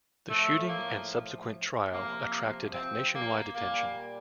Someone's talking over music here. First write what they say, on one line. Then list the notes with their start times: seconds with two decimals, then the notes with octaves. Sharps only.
The shooting and subsequent trial attracted nationwide attention.
0.28 A2 F3 A3
0.69 A#3
1.91 C3 F3 A#3
2.73 C4
3.15 A#3
3.55 A#2 G3 A#3